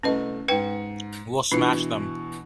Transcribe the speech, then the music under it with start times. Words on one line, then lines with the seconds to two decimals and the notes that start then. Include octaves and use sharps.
We'll smash them.
0.03 C2 A3 C#4 B4 D#5
0.48 G#2 B4 G5 C#7
1.52 B2 E3 D4 F4